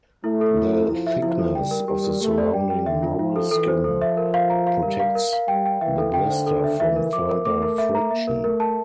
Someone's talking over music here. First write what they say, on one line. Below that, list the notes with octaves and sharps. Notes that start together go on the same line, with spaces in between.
The thickness of the surrounding moleskin protects the blister from further friction.
A3 E4
A4
E4
E4
F3 E4
E5
F3 E4
A4
G3 G5
A#4
G3 G4
A#4
A3 G4
D5
G3 G5
G5
D3 E5
F4
F3 F4
A4
E3 A4
C5
F3 A4
E5
A#4
F5
A#5
F5
G3 A#4
F5
A#4
F5
G3 G5
G5
E3 E5
A4
D3 G5
C5
A4
E5
E3 E5
A#4
F3 D6
A#4
A3 D6
A#4
E5
A#5
A#3 E5
A#4
A3 A#4
A5